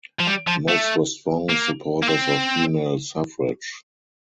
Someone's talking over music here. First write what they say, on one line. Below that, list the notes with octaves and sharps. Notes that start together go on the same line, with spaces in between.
Most were strong supporters of female suffrage.
F3
G3
F3
A3
A#3
A#3
C4